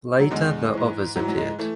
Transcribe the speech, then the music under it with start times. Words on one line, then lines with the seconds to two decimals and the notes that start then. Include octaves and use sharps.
Later the others appeared.
0.20 F#3
0.31 E2 D3 G#3
0.74 G#2 E3
1.16 G#2 E3 F#3
1.28 F#3
1.37 G#3
1.59 E3 A3